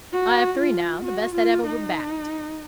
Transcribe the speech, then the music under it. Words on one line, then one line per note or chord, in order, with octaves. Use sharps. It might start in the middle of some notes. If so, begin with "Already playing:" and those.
I have three now, the best that ever were backed.
F#4
F4
F#4
F4
D#4